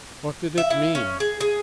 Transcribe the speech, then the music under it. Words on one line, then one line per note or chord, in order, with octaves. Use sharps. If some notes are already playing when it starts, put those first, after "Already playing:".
What did it mean?
E5
E4
C#4
G#4
G#4